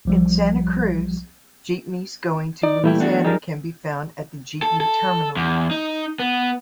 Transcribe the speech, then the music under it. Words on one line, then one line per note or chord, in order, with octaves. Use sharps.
In Santa Cruz, jeepneys going to Luisiana can be found at the jeepney terminal.
B1 F3 G3
D#4 D5
A#2 E3 G3 A3 E4 G5
B3 D4 F#4
F#2 F3 G3 D#4 G#4 A#4
A4
A4
E2
D#4
B3